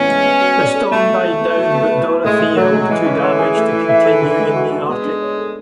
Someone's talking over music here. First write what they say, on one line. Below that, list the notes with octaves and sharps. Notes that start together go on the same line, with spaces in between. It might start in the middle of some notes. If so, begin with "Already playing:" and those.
The storm died down but "Dorothea" was too damaged to continue in the Arctic.
Already playing: A2 E3 B3 C#4
G#3
B3
F#4
D5
A4
B2 A3
G#3
E4
B3
F#3
B3
B4
E4
A2 G#3
E3
A2 F#3
G#3
E3 G#3
C#4
C#5
G#4
A3
E4
E5
A4
D3
G#3
F#4
D4
G#3 B3
D4
C#5
A4